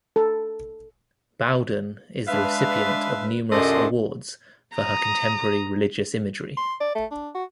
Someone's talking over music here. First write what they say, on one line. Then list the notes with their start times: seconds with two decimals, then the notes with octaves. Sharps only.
Bowden is the recipient of numerous awards for her contemporary religious imagery.
0.16 A4
2.27 G#3 D4 B4 E5 F5
3.51 C#2 F#2 C3 D4 A4 D#5 C6
4.76 A#5 D#6
6.57 C6
6.81 D5
6.95 A3
7.11 D4
7.35 F#4